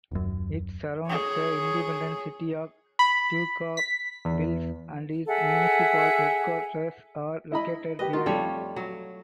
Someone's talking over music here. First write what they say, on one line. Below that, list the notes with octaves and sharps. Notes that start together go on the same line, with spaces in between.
It surrounds the independent city of Daugavpils and its municipal headquarters are located there.
D#1 F#2
G#4 C#5
B5
B6
E2
G#4 A4 E5 F#5
E4 D#5 B5
G4 B4 D#5
D#4 F4 F#4
F2 G3 A3 C#5
F#3